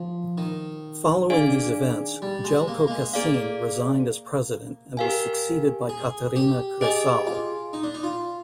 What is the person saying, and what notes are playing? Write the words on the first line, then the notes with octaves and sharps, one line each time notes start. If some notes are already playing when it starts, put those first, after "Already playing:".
Following these events, Jelko Kacin resigned as President and was succeeded by Katarina Kresal.
Already playing: F3
D#3
D4 G#4 D5 F5 G#5
G3
G#3
A#3
A#3
G#3
A#3 G#4 D5 F5
G4 A#4 F5 G#5
G#4
G4
G4 G#4 D#5 G#5
F4
D#4
D4
D#4
F4